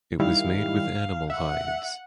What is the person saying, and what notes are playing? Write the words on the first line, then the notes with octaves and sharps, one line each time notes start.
It was made with animal hides.
D#3 G3 E4 F5
E5 F#5